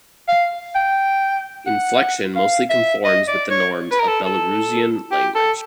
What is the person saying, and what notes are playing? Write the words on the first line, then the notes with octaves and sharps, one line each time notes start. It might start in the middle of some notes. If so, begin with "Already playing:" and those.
Inflection mostly conforms with the norms of Belarusian language.
F5
G5
F#5
F5
E5
D#5
D5
C#5
B4
A#4
A4
A4
G4
A4